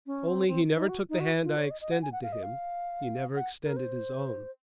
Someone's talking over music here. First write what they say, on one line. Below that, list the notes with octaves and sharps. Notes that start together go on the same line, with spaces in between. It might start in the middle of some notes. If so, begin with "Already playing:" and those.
Only, he never took the hand I extended to him. He never extended his own.
C#4
C4
C4
D#4
F#4
D#4
F#4
F4
C#5
D#5
D#5
F#5
G#5
F#5
F5
D#5
F5
F#5
A#4
C5